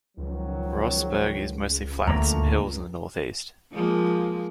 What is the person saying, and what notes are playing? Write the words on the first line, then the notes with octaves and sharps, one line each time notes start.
Rohrsburg is mostly flat with some hills in the northeast.
C#2 D#3 F3 F#3
D2 A3 A#3 A#5
F3 G#3 A#3